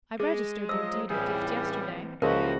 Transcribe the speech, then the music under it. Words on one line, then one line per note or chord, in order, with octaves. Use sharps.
"I registered their deed of gift yesterday."
G#3 G#4
F3 F#3 D#5 E6
C#2 A2 E3 G3 C4 E4 G#4
C#2 F3 A#3 E4 F#4 G4 A#4